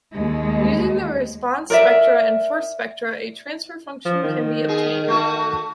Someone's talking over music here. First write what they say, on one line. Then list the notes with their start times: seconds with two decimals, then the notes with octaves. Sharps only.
Using the response spectra and force spectra, a transfer function can be obtained.
0.13 D#2 G#3
1.70 A#4 D5 E5
4.06 F3
4.23 D#3
4.68 B3 G#4
5.08 A3 F#4